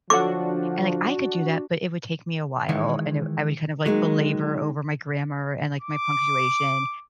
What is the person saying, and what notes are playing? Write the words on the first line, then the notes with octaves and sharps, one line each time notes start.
and like I could do that, but it would take me a while, and it I would kind of, like, belabor over my grammar, and, like, my punctuation.
D3 F3 D4 F#4 A4 C#5 F#5 D6
D#3 E3 G#3
D#3 F#3 G#3 A#3
D6